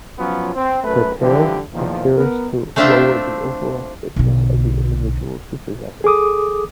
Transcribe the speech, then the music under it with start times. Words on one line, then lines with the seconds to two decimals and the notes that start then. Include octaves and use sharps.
The tail appears to lower the overall fitness of the individuals who possess it.
0.19 F3 F#3 B3 C#4 F4
0.55 C4
0.84 F#2 A3 B4
1.20 D3 E3 F3 G3 G4
1.74 E2 A#2 D#3 F3
2.15 B3 A#4
2.76 A3 C4 D4 F4 E5 G5
4.16 B1 D3
6.04 G#4 A4 D6 D#6